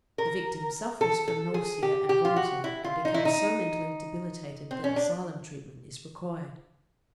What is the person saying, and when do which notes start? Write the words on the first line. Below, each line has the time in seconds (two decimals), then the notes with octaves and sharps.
The victim suffers from nausea and vomiting, and becomes so mentally debilitated that asylum treatment is required.
0.18 A#4
1.01 A4
1.28 A4
1.54 G#4
1.83 G4
2.09 G4
2.25 F4
2.36 F#4
2.64 E4
2.84 F4
3.05 D#4
3.14 E4
3.25 D#4
4.71 C4
4.84 C#4
4.96 D4